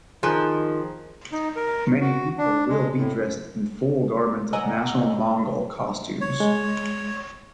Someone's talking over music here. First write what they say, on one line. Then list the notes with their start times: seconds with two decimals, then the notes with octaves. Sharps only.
Many people will be dressed in full garment of national Mongol costumes.
0.23 D#3 F3 G#4 A#5 F#6
1.32 D#4
1.56 A#4
2.01 F#4
2.38 D4
2.70 G#3
2.98 A2
3.18 F#2
4.53 D5 D#5 F#5 G#5 A#5 E6
6.21 C#5
6.40 G#3